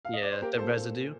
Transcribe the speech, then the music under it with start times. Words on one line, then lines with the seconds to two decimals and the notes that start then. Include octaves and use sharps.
Yeah, the residue
0.05 F5
0.13 D#5
0.22 D5
0.32 C5
0.41 A#3 G4 A#4
0.58 A4 C5
0.64 A#2